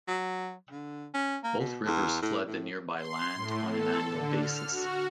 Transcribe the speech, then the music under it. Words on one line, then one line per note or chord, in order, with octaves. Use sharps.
Both rivers flood the nearby land on an annual basis.
F#3
D3
C#4
A#3
B2
E2
A2
A2
C6
A2
A4
D3
F6
F#4